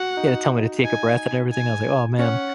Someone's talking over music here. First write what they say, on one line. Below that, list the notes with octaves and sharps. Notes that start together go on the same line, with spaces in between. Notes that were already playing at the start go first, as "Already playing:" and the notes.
he had to tell me to take a breath and everything, I was like, "Oh, man."
Already playing: F#4 F#5
D#4
D#4 G#5
G#5
C#4 F#5